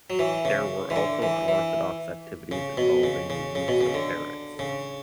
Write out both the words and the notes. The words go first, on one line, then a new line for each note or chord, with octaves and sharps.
There were also unorthodox activities involving the use of ferrets.
F#3
E3
C#3
E3
D3
E3
E3
C#3
B2
C#3
C#3
C#3
B2
C#3
D3
C#3